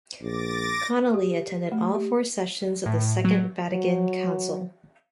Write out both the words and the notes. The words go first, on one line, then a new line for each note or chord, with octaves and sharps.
Connolly attended all four sessions of the Second Vatican Council.
A#1 D6 A6 A#6
G4
A3
G4
A2
F#3
F#3